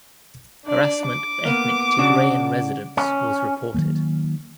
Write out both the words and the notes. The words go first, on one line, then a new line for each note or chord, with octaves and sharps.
Harassment of ethnic Tigrayan residents was reported.
D4 D5
D6
A#3 B3
C#3 D4 F#4
C#4
D#3 F3 F#3 A#3